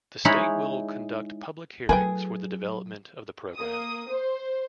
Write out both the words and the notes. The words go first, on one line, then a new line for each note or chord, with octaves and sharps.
The State will conduct public hearings for the development of the program.
G#3 D#4 E4 C#5 B5
F#3 G#4 A#4 B4 G5
A#3 D#6
C5